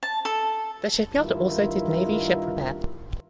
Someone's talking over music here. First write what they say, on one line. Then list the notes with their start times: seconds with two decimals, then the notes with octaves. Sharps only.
The shipyard also did Navy ship repair.
0.03 A5
0.25 A4
1.16 G2 D#3 E4 F4 A#4